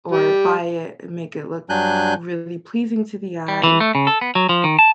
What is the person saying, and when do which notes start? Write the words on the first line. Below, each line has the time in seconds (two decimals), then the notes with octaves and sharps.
or buy it and make it look really pleasing to the eye,
0.11 G3
1.70 G2 F#3 D4 G#5 F#6 G6
3.48 G3
3.63 E3
3.80 A3
3.95 C#3
4.07 A4
4.21 B3
4.35 F#3
4.49 F3
4.64 D#3
4.79 A5